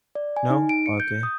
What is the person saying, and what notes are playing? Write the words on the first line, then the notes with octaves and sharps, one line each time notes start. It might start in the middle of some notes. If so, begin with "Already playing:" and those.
No? Okay.
D5
G#5
D#4
D7
C#7
G6
D#6